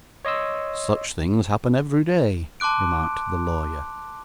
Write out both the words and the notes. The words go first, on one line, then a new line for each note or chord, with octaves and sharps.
'Such things happen every day,' remarked the lawyer.
C#5 D#5 C6 E6
A5 C6 D6 F#6 D7